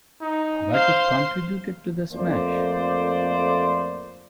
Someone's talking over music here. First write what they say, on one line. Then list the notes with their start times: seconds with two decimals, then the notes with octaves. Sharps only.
But it contributed to the smash.
0.21 D#4
0.73 C5 F5 C6
2.13 F2 A3 A#3 C5 D5